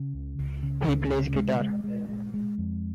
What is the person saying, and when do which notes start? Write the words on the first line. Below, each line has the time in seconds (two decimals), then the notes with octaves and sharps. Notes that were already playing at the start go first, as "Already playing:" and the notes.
He plays guitar.
Already playing: C#3
0.14 C#2
0.39 C#2
0.63 C#3
0.87 C#2
1.12 C#3
1.36 G#3
1.60 G#3
1.84 G#3
2.09 G#3
2.34 G#3
2.58 F2